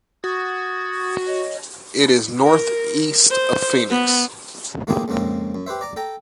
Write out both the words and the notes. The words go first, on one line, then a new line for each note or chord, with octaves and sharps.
It is northeast of Phoenix.
F#4 D#6 G#6 A6
C#5 D#5
A#4
C5
B3
A3 A#3 E4 F4 G4 G#4
F2 G#2 C#3 A#3 C4
F#2
G4 B4 C5 E5
D5 A#5 D6
A4 G5 A#5